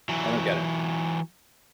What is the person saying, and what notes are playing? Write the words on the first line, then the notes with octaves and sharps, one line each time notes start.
I don't get it.
E3 F#3